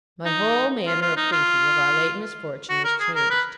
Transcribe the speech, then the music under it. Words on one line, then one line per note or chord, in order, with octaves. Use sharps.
My whole manner of thinking of our late misfortune was changed.
D#4
F4
F4
D#4
F4
F#4
A#4
G#4
A#4
B4